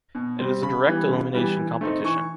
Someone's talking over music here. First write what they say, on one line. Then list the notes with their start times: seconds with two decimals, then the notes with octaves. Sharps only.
It is a direct elimination competition.
0.15 B2
0.39 G3 C4
0.62 C#3 B5
0.86 E3 G3 B3
1.09 C#3
1.34 E3 G3 B3
1.57 E3
1.81 A3 C4 D#4
2.04 E3 C#6